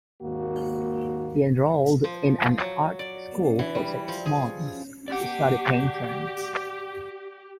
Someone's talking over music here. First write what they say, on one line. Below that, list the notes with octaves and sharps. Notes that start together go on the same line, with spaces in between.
He enrolled in an art school for six months to study painting.
G#1 D#2 A#3 F#4
F3
F#3
D5
E3
G3
F3
G#4
G4 D5 F#5